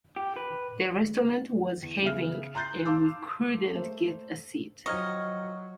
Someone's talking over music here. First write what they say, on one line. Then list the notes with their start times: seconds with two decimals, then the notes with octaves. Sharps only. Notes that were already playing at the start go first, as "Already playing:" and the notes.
The restaurant was heaving and we couldn't get a seat.
0.16 G4
0.36 B4
1.83 E2
2.02 C#3 B3 E5 F6
2.55 A#5 C6 F#6 G6 A6 C7
2.85 F5 A5 C6 D6 E6
3.75 A3 A#3 C5
4.86 D#3 F3 F#3 D#4 D#5 C#6 F6 G#6